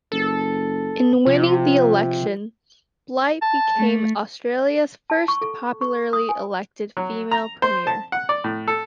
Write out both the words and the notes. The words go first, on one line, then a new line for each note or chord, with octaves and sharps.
In winning the election, Bligh became Australia's first popularly elected female premier.
F#1 A4
C3 F3
A5
A3
A5
C#6
A4
C#6
D#6
G#5
F#3
A#5
C5
A5
F#5
D5
A2
A4